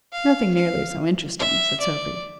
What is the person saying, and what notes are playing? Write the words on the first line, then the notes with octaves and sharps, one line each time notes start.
"Nothing nearly so interesting," said Sophy.
F5
F5
E5
D5